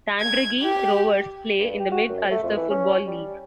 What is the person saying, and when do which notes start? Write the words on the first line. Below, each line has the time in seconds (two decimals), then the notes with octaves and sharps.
Tandragee Rovers play in the Mid-Ulster Football League.
0.20 G#6
0.62 G4
1.59 G2
1.80 G4
1.92 F#4
2.09 F#2
2.31 A3
2.43 F2
2.57 E3
2.70 C#4
3.07 G3